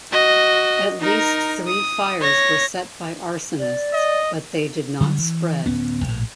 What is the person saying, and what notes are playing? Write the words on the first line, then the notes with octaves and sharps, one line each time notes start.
At least three fires were set by arsonists, but they did not spread.
F#4 D#5
D#4 A#4
D#6
C#5 A#6
D5
D#5
D3 F#3 G3
E3
D1 B3 C#4
A#1 A2